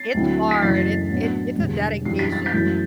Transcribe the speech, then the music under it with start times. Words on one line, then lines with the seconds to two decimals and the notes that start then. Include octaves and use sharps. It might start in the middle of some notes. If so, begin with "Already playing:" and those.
It's hard, it it it's a dedication.
Already playing: A6 C7
0.14 D2 D3 F#3 C4 E4
0.51 B6
0.61 F#1 F#2 E3 A3 E4 A6 C7
1.10 A2 F#3 B3 D4
1.57 E1 E2 D3 G3
2.05 F#2 E3 G3 D4 C7
2.19 B6
2.32 A6
2.46 G6 B6
2.53 F#2 E3 A3 E4